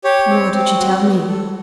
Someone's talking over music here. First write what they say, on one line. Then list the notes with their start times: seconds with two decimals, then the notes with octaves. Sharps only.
"Nor did she tell me."
0.04 G4 C#5
0.29 C4
0.53 C4
0.79 F#4
1.03 B3
1.28 A4